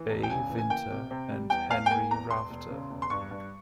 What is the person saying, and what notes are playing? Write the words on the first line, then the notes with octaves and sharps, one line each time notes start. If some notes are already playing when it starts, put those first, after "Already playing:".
A. Vinter and Henry Rafter.
Already playing: E3
E1
G5
C#3 G#5
E3
G#5
A#3 G5
C3
C3
G3
E2 G5
E2 F5
G5
A#3 G#5
E2 A#5
E1 C6
E1
C#3
E1
C6
G2 C#6
G2